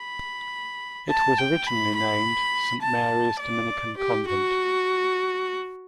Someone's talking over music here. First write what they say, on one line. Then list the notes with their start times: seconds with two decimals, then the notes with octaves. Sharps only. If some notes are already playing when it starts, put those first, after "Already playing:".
It was originally named Saint Mary's Dominican Convent.
Already playing: B5
1.10 A5
1.39 G5
1.67 B5
1.96 B5
2.82 A5
3.40 D5
3.97 G4
4.28 F#4